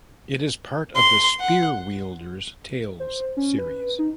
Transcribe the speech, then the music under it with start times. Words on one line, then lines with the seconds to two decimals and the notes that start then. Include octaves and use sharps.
It is part of the Spearwielder's Tales series.
0.95 C6
1.40 F#5
3.00 C5
3.37 C#4
3.59 B4
3.99 D#4